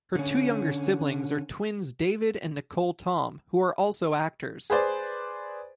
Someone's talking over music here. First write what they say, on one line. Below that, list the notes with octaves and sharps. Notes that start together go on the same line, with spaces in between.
Her two younger siblings are twins David and Nicholle Tom, who are also actors.
D3 C#4
G#4 B4 C5 D5